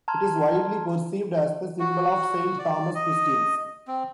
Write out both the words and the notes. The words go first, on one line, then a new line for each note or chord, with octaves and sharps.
It is widely perceived as the symbol of Saint Thomas Christians.
A5 A#5 C6 F6 G#6
F#4
D5
D#5
C4